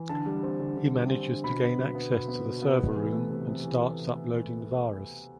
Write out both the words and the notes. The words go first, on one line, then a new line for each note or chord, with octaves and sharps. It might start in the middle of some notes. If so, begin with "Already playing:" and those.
He manages to gain access to the server room and starts uploading the virus.
Already playing: E3
D3 A5
G3
C4
D3
D3
G3
C4
D3
B2 B5
B3
B2
B3
B2
B3
B2
B3
C3
E3
A3
C3
C3
E3